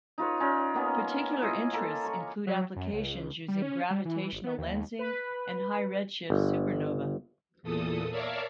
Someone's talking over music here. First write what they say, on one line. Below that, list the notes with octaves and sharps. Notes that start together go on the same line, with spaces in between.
Particular interests include applications using gravitational lensing and high-redshift supernovae.
D#4 F4 B4 C#5
C#4 D#4 F4 D5
A#3 B3 C#4
E4 F4 D#5
A#3 A4
A#5 C#6
F#3
F#2
C#2
G3
C#4
G3
E3
G#1
B3
D#2
B4
G1
E2 A#2 A4 D#6
A#4 C#5 D5 E5 F5 A5